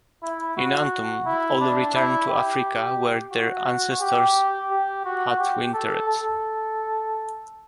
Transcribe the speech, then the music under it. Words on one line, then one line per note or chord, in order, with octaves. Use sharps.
In autumn all return to Africa, where their ancestors had wintered.
E4
F#4
E4
D4
E4
G4
F#4
G4
G4
F#4
G4
A4
A4